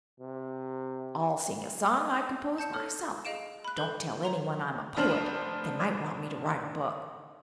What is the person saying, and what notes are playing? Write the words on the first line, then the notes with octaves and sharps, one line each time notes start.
I'll sing a song I composed myself. Don't tell anyone I'm a poet; they might want me to write a book.
C3
A5 G6 C#7 E7
A4 C#5 F6
G#4 D#5 F5 D7 E7
B5 F#6
A4 B4 G6
C#5 A#5 C6
F1 D4 C5 F6 F#7